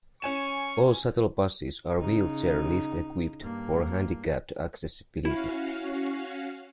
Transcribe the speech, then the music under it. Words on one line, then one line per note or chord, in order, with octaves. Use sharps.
All shuttle buses are wheelchair lift-equipped for handicapped accessibility.
C#4 G#5 C#6 E7
C#3 D#4
G2 A#3
C#4 E4 F#4 F5